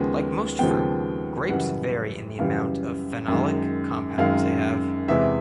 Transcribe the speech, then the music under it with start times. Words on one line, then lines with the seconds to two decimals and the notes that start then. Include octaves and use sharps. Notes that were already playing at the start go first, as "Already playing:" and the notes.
Like most fruit, grapes vary in the amount of phenolic compounds they have.
Already playing: D#2 C#3 F3 G#3 B3
0.59 D#2 C#3 F3 G#3 B3 G5
1.49 F#2 C#3 E3 G3 F#5
2.39 F#2 C#3 E3 G3 F5
3.28 F#2 D#3 G#3
4.18 F#2 D#3 G#3 F5
5.08 E2 C3 E3 G#3 E5